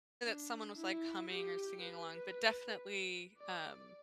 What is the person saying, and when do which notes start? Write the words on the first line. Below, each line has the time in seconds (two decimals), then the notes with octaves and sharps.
that someone was, like, humming, or singing along, but definitely, um,
0.24 D4
0.76 E4
1.29 G4
1.82 B4
3.38 D5